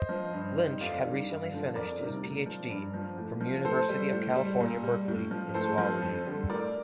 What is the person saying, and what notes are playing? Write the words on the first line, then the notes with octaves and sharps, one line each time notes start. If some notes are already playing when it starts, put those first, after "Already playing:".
Lynch had recently finished his Ph.D. from University of California, Berkeley in Zoology.
Already playing: C5 D#5
F3
G2
D#3 G3
F2 D5 F5
D#3 G3
G2
D3 F3
F2 A#4 D5
C3 D#3 G3
A2
F3
G2
F3
A2
F3
A2 A4 C5
G3
A2
G3
A#2
G3
A2
F3
A2 A4 C5
F3
F2
D3 G3
A2 A#4 D5